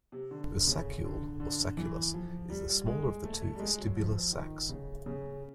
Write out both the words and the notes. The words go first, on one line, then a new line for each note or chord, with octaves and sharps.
The saccule, or sacculus, is the smaller of the two vestibular sacs.
C3
D3
C#3
D3
D3
E3
F3
G3
G#3
A3
A3
G3
G#3
F#3
F3
D#3
C#3
C#3